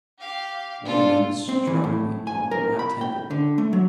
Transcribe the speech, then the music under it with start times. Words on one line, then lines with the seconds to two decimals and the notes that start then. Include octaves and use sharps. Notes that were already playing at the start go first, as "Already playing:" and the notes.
One of them struck me upon the right temple.
0.19 G4 F5
0.84 D4 F4 A4
1.49 C4
1.67 E3
1.84 A2
2.27 G#5
2.51 A#4
2.79 B5
3.01 G5
3.31 D3
3.58 A3
3.73 F#3